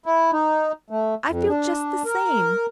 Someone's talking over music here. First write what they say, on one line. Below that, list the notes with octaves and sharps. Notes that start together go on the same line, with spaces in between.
I feel just the same.
E4
D#4
A3
F2
D4
A#4